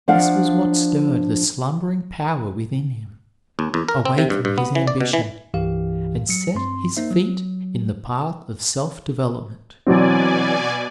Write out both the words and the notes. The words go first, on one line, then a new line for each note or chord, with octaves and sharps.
This was what stirred the slumbering power within him, awakened his ambition, and set his feet in the path of self-development.
F3 D4 F5 F#5
D#2
E2
A#4
C4
C3
G2
G2
B3
E3
D5
B2
E3
C2 G2 E3 G4 F5
F#3 C#7
G2 C4 C6
A#3 D#4 C5 E5
F#3
B2 E3 F#3 C4 D5 G#5